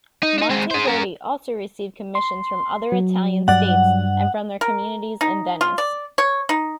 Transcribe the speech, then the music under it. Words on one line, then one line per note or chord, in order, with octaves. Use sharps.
Monteverdi also received commissions from other Italian states and from their communities in Venice.
D#4
D4 D#4
G#3 C4
G#4 C5
C#4 A#4
C6
F#3
G2 D5 F#5
A#4
D#4
F4
D5
C#5
D#4